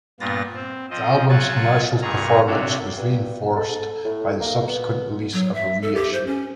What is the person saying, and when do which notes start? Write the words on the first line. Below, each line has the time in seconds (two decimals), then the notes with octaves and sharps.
The album's commercial performance was reinforced by the subsequent release of a reissue.
0.20 G2 A#2 B3 F4 A6 A#6
0.55 C4
0.90 F3 C4 D#5
1.29 F#3 F4 F#4 G#5 C#6 A6
2.02 G2 A#2 G#4 A#5 C#6
2.47 C3 D4 F#4 A4 C#5
2.98 G2
3.56 A4
4.05 A2
4.40 A#3
4.68 B3
5.33 F#3
5.54 E5
5.82 A4
5.95 G4
6.13 C5
6.27 C#4